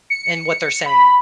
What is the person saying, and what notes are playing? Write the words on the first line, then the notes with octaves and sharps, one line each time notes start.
and what they're saying.
C#7
B5